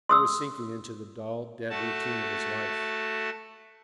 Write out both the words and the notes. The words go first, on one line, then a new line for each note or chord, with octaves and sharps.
He was sinking into the dull, dead routine of his life.
C6 D#6 E6
A3 F#4 A5